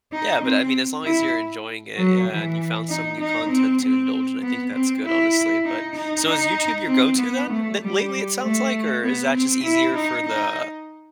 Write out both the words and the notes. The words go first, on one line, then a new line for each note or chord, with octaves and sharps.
Yeah, but, I mean, as long as you’re enjoying it, yeah, and you found some new content to indulge in, I think that’s good, honestly. But so is YouTube your go-to then? N lately, it sounds like, or is that just easier for the
D#4
C4
E4
F#3
E3
D#4
D#4
C4
C4
B3
C4
E4
D#4
D#4
D#4
C4
B3
A3
G3
A3
B3
C4
E4
D#4
D#4